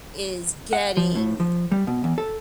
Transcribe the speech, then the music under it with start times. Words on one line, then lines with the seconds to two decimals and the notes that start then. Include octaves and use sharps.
is getting
0.73 F#5
0.97 F3
1.16 A2
1.40 F3
1.72 G3
1.87 B2
2.04 E2
2.18 A4